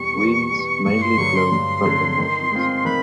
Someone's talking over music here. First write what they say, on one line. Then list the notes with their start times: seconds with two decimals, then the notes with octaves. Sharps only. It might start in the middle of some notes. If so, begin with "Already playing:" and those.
Winds mainly blow from the northeast.
Already playing: E2 B2 G3 C#6
0.18 E2
0.51 B2 G3
0.85 G2 C#6
1.02 C6
1.18 D3 F#3 C#6
1.35 C6
1.52 G2
1.86 D3 F#3
2.18 D#3
2.52 G#3 C4 F4
2.85 D#3 B5